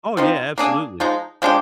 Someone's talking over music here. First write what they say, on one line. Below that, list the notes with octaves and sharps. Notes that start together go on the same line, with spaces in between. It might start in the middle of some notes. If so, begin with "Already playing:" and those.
Oh, yeah. Absolutely.
F3 C4 D#4
A#3 D4 G#4
F3 G#3 D#4
F3 G#3 D4 G4